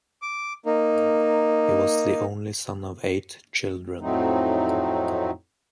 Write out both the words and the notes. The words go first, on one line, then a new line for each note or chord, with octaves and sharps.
He was the only son of eight children.
D6
A#3 D#4
F2 A2 F#3 A3 C4 D#4